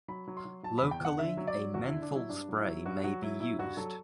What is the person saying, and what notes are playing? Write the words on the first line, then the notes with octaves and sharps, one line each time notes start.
Locally a menthol spray may be used.
F#3 B5
F#3
C6
F#3
F#3 A5
E2 B5
G5
E2 F#5
D3 E5
F#3
D5
F#3
E2 F#4
E4
D3
D4
F#3 E4
G2 D4
F#3
E4
F#3
G2 F#4
F#3 F#4
F#3 E4
F#3 E4
G2 F#4
F#3 A4